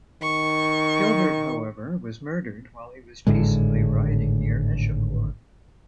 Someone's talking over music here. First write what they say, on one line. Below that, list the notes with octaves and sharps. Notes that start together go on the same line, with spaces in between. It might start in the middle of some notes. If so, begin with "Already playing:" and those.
Gilbert however was murdered while he was peaceably riding near Eschafour.
D#3 C#6
G#1 A2 D3 G#3